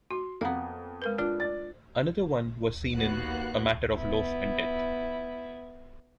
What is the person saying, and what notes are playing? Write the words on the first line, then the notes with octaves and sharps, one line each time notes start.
Another one was seen in "A Matter of Loaf and Death".
F#4 C6
F2 A#3 B3 F5
G#3 A#4 B4
D4 F4
D5 A6
D#2 A#3 B3 F#4 F#6
B3 E4